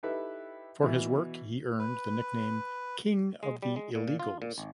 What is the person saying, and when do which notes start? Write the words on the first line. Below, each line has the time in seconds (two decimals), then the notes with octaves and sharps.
For his work he earned the nickname "King of the Illegals".
0.03 D#4 E4 G4 A4 B4 E5
0.81 B2 E3 E4 E5
1.79 B4
3.43 G#3
3.62 G3
3.76 G#3
3.95 A#2
4.08 A#2
4.20 F4
4.42 A#2
4.58 G#1